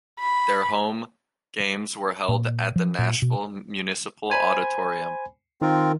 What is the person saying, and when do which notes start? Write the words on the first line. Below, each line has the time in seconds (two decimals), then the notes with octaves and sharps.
Their home games were held at the Nashville Municipal Auditorium.
0.20 B5
2.29 A#2
2.76 F3
2.99 A#2
3.22 B2
4.30 C5 G#5 B5
5.62 D#3 C4 F4 A#4